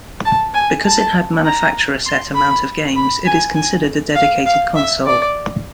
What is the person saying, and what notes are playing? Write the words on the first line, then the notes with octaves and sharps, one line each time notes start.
Because it had manufacturer-set amount of games, it is considered a dedicated console.
A5
G#5
A5
A#5
C6
B5
B5
G#5
G#5
F5
F5
E5
D5